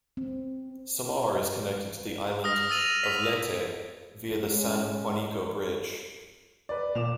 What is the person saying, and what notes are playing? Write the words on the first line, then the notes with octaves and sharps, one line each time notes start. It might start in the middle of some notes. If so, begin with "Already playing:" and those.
Samar is connected to the island of Leyte via the San Juanico Bridge.
C4
D#6 F6 A#6
D#6 E6 A6 D#7 F7 F#7
B6
G#3 C#4
B4 D5
A#2 D6 E7 F7